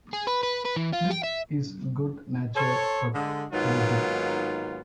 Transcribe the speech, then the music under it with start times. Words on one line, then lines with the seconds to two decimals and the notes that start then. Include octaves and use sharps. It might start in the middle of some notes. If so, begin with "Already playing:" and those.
Philip is good-natured but plodding.
0.13 G#4
0.27 B4
0.43 B4
0.65 B4
0.76 E3
0.93 F4
1.11 G5
1.24 E5
2.56 A4 C5 C#5
3.14 D3 G#3
3.52 G#2 D#3 F#3 A#3 B3 F4